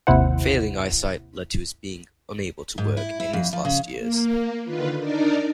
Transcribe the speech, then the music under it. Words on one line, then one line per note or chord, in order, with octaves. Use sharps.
Failing eyesight led to his being unable to work in his last years.
G#1 D#2 C3 E4 C5 F#5
G#2
E4
E4
F2
F3
C#3
A#3
D3 D#3 F4 B4
D4 D#4 A#4 D5